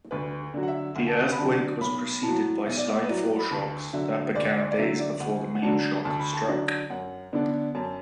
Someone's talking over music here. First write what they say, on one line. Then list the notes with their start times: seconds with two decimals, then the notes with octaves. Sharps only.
The earthquake was preceded by slight foreshocks that began days before the mainshock struck.
0.11 D2 B4
0.54 D3 F#3
0.63 F#5
0.68 E5
0.96 D2 F#5
1.07 A5
1.20 F#5
1.32 B5
1.38 D3 F#3 A5
1.80 B1 B5
2.23 A2 F#3 A5
2.66 B1 E5
2.77 D5
2.89 E5
3.04 B4
3.08 A2 F#3 D5
3.38 B5
3.50 D2 A5
3.93 D3 F#3 E5
4.35 D2 D5
4.57 D5
4.71 D5
4.78 D3 F#3 E5
4.99 D5
5.20 D2 F#5
5.55 F#5
5.62 D3 F#3 D4 A5
6.05 D2 A5
6.20 B5
6.33 A5
6.47 D3 F#3 D4
6.90 F#2 F#5
7.33 D3 B3 D4
7.75 F#2 A5